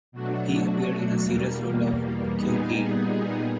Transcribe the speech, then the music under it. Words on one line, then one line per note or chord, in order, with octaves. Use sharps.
He appeared in a serious role in Kyun Ki.
B2 F#3 A3 D4 F#4
E2 B2 G3 A#3
A#2 G3 B3 D#4 G#4